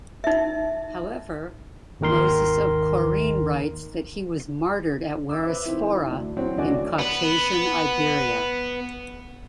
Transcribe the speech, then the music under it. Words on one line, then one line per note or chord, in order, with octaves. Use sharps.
However, Moses of Chorene writes that he was martyred at Weriosphora in Caucasian Iberia.
D#4 E5
G#1 D#2 D#3 A#4 C6
E5 D6 E6
B4 C5 E5
D#3 C4 E4
D2
E3 F#3 C4 C#5
D2 D3 F#4 D5 G#5
B3 B4